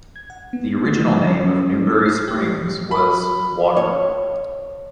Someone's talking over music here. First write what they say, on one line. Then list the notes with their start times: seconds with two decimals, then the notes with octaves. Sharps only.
The original name of Newberry Springs was "Water".
0.16 G#6
0.30 F#5
0.53 B3
0.86 A3
1.05 F3
1.29 C#4
2.05 C7
2.28 G4
2.91 B5
3.77 C#5